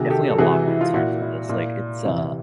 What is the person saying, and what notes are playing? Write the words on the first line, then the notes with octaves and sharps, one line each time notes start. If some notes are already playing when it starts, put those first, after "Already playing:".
definitely a lotta concerns with this, like, it's, uh,
Already playing: C3 D#3 F#4 G#4
G4 A4
A4
C3 E3 F#4 G#4
E4
F4
A#2 E4 F#4
E4
A#2 E4
C3 E3